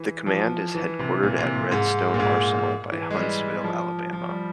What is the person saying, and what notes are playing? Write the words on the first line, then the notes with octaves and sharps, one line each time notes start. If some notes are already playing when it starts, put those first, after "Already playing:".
The command is headquartered at Redstone Arsenal by Huntsville, Alabama.
Already playing: E3
F3
E3
C3
A#2
C3
A#2
G#2
A#2
G#2
E3
G#3
G3
F3
F3
G3